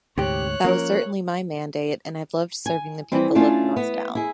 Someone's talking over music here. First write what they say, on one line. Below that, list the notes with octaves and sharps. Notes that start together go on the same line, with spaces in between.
That was certainly my mandate and I've loved serving the people of North Down.
D2 G#2 C3 C4 G4 C#5 F#6
F3 A#3 C#4 A#4
G#5
E3 G3 C4
A3 C#4 D4 F4
B3
E4 G#4